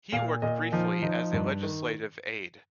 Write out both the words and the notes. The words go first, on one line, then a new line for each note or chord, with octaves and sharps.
He worked briefly as a legislative aide.
A#2 F5
A#2 D#5
F3 D#4
F3 D#4
G2
D#3